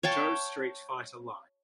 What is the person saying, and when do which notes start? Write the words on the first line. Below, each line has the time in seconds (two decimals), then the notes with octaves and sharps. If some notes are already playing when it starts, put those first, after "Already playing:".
Joe Street Fighter line.
0.03 C#5 F5 G5 A5